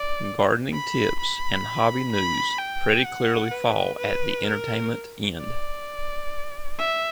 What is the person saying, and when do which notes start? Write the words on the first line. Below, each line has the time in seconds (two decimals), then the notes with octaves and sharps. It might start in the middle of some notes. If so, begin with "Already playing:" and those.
Gardening tips and hobby "news" pretty clearly fall at the entertainment end.
Already playing: D5
0.72 B5
1.19 B5
2.12 B5
2.58 G5
3.06 F#5
3.52 B4
3.98 B4
4.45 A#4
5.38 D5
6.79 E5